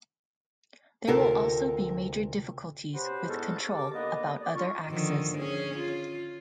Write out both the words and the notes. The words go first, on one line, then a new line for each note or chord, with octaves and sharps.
There will also be major difficulties with control about other axes.
D2 C3 F4 A4 A#4 D5
C#4 F#4 G4 B4 C5
E2 G#2 B3 C#4 F#4 A4
G4 A#4 A5 D6
D#2 D3 A#3 B3 D#5
D5
D4 F4 C#6
D3 D#3 F3
C#4 G#4
F4